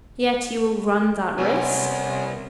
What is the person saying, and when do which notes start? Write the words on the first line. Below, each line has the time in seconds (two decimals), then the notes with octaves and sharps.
"Yet you will run that risk?"
1.38 C2 B3 C#4